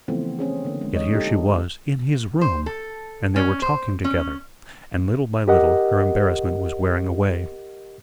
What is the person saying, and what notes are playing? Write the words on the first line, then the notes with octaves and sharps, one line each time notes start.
Yet here she was, IN HIS ROOM, and they were talking together, and little by little her embarrassment was wearing away.
C#3 E3 F3 A3 B3 C4
C4 C#4 G#4
D3 A#3
G#3
G#3 C#5 D#5
D#4 G4 A4
C5
A4
C#4
C5
C#4
G4 A#4 D#5 F#5